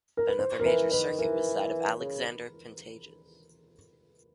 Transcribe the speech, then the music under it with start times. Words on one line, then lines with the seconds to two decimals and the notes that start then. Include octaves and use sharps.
Another major circuit was that of Alexander Pantages.
0.17 A#4
0.27 B4
0.39 C5
0.60 A#4
0.65 E3 B4
0.92 D#3 B4
1.19 E3 A#4
2.00 C#3